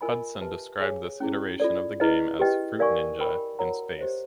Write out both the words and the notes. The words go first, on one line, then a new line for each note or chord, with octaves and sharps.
Hudson described this iteration of the game as ""Fruit Ninja" in space".
F4 A#4 D#5 G#5 B5
G4 B4 E5 A5
G#4 C#5 F5 G#5
C#4 E4 G#4
F4 A4 D5
E4 G#4 B4 D#5
G4 B4 D#5 G5
A#4 D5 F5 G#5 C#6
A#4 D#5 G5 B5
F#4 A#4 C#5 F#5 A#5
G4 C5 D#5